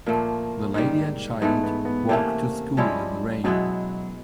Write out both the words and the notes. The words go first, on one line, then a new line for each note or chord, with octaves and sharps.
The lady and child walk to school in the rain.
A#2 F3 A3 A#3
G#2 D#3 G3
G#2 E3 A3 B3
B3
B3
C3 E3 A3 A#3 C#4
F3 G3 G#3 C#4 E4
B2 F#3 G#3 B3 E4